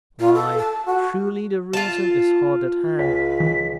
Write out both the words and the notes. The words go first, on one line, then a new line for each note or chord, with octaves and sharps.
'Why, truly the reason is hard at hand.
F4
A4
A5
F#4
F4 A5
C#2 B6
E3